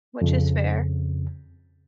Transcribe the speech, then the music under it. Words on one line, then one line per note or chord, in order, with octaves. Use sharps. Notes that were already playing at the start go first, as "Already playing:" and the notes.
which is fair.
F2 C#3